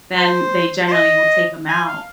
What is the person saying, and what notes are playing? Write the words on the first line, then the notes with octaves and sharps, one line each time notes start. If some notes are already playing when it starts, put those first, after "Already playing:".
then they generally will take them out.
C5
C5
D#5
G#5
F5